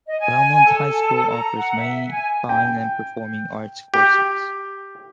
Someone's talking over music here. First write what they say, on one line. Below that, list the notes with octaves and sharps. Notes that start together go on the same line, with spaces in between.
Belmont High School offers many fine and performing arts courses.
D#5
G#5
A4
A#5
F#5
E5
G#5
G5
G4